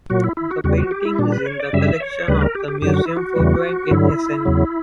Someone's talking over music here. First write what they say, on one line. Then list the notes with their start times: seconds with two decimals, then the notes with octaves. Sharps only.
The painting is in the collection of the Museum Folkwang in Essen.
0.10 A#2 F#3 F#4
0.24 E4
0.37 E4
0.51 F#4
0.64 E2 C#3 G3 F#4
0.78 F#4
0.91 G4
1.05 E4
1.19 A#2 G3 D4
1.32 B4
1.46 C#5
1.60 D5
1.73 F#2 C#3 G3 E5
2.00 C#5
2.28 D2 C#3 G3 B4
2.41 A#4
2.55 G4
2.68 G4
2.82 F#2 D3 F#3 G4
2.94 F#4
3.06 E4
3.17 F#4
3.36 E2 C#3 E3 G3
3.91 G2 D3 F#3 E4
4.45 E2 C#3 F#3